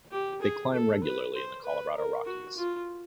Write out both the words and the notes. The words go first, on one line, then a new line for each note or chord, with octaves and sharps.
They climb regularly in the Colorado Rockies.
G4
G#4
A4
B4
C5
B4
A#4
F#4
F4